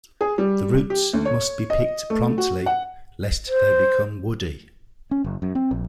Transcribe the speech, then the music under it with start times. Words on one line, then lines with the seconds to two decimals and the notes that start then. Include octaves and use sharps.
The roots must be picked promptly lest they become woody.
0.21 G#4
0.38 G3
0.90 G4
1.13 D2
1.25 C#5
1.70 D#5
2.10 A3
2.38 F#4
2.66 F#5
3.48 C5
5.11 C#4
5.24 F#1
5.42 F#2
5.55 C4
5.71 A#1